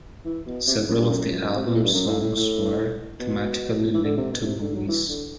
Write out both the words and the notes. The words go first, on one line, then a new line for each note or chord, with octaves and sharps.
Several of the album's songs were thematically linked to movies.
E3
B2
C3
E2
F#2
G2
F#2
C3
B2
A2
G2
F#2
A2
A2
A2
B2
E3
D3
C3
B2
D3
C3
D3
F#3
E3
D3